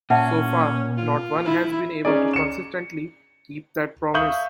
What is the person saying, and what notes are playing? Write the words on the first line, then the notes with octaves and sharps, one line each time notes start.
So far not one has been able to consistently keep that promise.
A#2 C#4 E5 F#5 A5
F4
E4
C#4 D#4 G#4 D5
C#7 E7
E5 F5 C#6 D#6 G6 F#7